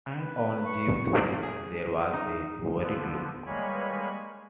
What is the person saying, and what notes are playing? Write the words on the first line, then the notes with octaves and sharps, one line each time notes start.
And on Jip’s face there was a worried look.
B4
C#6
G#4
D#4
D3 F3 B3
G3 G#3 A#3 C#5 G#5 B5